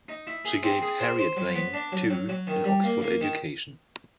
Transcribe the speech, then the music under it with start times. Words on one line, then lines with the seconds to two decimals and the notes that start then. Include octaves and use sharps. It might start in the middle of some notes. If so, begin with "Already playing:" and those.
She gave Harriet Vane, too, an Oxford education.
0.08 D#4
0.27 E4
0.45 G#4
0.63 C4
0.82 G#4
1.00 C5
1.19 C5
1.37 F#3
1.55 B3
1.73 D4
1.92 F#3
2.10 F#3
2.29 F#3
2.47 D#3
2.65 G3
2.84 A#3
3.02 A#3
3.21 D#3